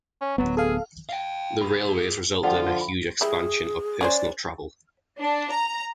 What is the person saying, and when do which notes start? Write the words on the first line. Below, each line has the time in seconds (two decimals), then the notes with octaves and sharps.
The railways resulted in a huge expansion of personal travel.
0.21 C#4
0.38 D1 F2 F#3 B3
0.57 G#4 A4 F5
1.09 F5 G5
1.61 F4 G#4 B5
2.44 D3 F3 F4 F#5 G5
2.77 F5 B5
3.21 G3 E4 G#4
4.01 C#4 G#4 C5 D5
5.19 D4
5.50 A#5